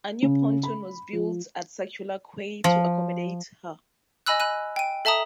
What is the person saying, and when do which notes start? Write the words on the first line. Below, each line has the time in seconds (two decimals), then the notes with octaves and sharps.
A new pontoon was built at Circular Quay to accommodate her.
0.23 C#3
0.63 B5
1.13 F3
2.64 F3
4.26 D#5 G#5 B5 E6 F#6
4.40 B5 F#6 D#7
4.76 G5 D#7
5.05 A4 E5 A5 A#5 D#6